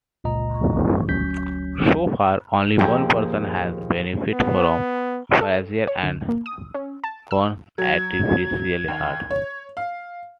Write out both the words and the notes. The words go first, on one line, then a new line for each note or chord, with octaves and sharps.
So far, only one person has benefited from Frazier and Cohn's artificial heart.
G1 C#2 A#2 D#5 A#5
G1 D2 F#3 C#4 G6 B6
D#2 A#2 F3 G4 G#4 G5
B3
A4
C#5
D2
A#3
D#6
C#4
A5
E6
F#3 G#6
D#2
C#5
F5